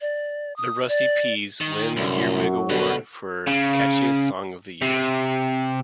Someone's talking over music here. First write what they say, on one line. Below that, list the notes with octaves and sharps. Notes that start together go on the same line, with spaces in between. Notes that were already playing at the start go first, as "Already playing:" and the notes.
The Rusty Ps win the "Earwig Award" for catchiest song of the year.
D5
D#6
D5
D#3
C2 F#2 D3
F#3
B2 D3 G3 F#4 B4
C#3
C3